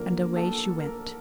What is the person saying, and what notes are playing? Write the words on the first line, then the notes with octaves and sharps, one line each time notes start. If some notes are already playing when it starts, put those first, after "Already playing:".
And away she went.
Already playing: D3 F3 A#3 A#4
A4
A#4